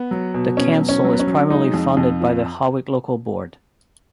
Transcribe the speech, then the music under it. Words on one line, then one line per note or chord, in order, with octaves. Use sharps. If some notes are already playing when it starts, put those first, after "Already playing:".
The council is primarily funded by the Howick Local Board.
Already playing: B3
F#3
B2
B2 C#4
F#3
C#4
F#3
B3
C#4
F#3
G#3 D#4
F2
F2
F3